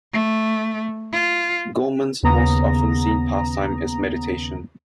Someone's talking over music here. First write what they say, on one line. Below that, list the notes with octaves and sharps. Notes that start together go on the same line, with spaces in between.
Goemon's most often seen pastime is meditation.
A3
F4
D#2 C#3 B3 A#5 D#6 A#6